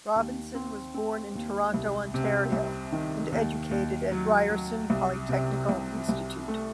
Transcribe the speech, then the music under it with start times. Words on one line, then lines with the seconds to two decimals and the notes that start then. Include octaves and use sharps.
Robinson was born in Toronto, Ontario, and educated at Ryerson Polytechnical Institute.
0.16 D#2
0.55 C4
0.94 C4
1.35 D#2
1.74 C2
2.14 C3
2.52 C2
2.92 D#3
3.32 D#2
3.71 D#2
4.12 F#3
4.50 F#3
4.90 C2
5.29 C3
5.69 C2
6.09 C2
6.48 A3